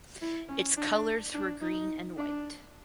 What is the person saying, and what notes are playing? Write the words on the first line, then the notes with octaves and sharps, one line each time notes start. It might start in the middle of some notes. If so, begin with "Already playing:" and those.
Its colours were green and white.
E4
C#4
D4
D4
D#4
D4